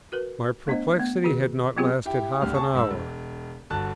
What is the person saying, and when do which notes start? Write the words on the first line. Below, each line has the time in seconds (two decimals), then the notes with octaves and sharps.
My perplexity had not lasted half an hour.
0.12 F#4 A#4 B4
0.67 A3 B3 D4 C5 D#5
0.98 A3 B3
1.24 D#3 F#4 G#4
1.77 F#3 B3 C4 F4 G4 G#4
2.05 E4 G4 G5
2.41 G#1 D2 G4 F6
2.54 G#4 A5 C#6
2.73 G1 G#2 E6
2.91 E1
3.70 G1 D3 F#4 A5 F#6